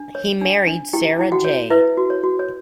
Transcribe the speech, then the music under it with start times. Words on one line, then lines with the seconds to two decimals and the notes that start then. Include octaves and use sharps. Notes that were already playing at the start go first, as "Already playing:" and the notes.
He married Sara J.
Already playing: D4
0.15 C#5
0.41 D4
0.67 D4
0.93 E4 G4 G5
1.19 E4 G5
1.32 F#4 F#5
1.45 C#5
1.70 E4 B4 E5
1.98 F#4
2.10 C#5
2.23 F#4
2.39 C#5